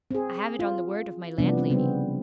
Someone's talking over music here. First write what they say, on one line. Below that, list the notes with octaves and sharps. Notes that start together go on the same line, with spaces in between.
I have it on the word of my landlady.'
C4 G#4
F4
C3 E3 F3 G3 B3 D4
C4
C#3 G3 B3 C4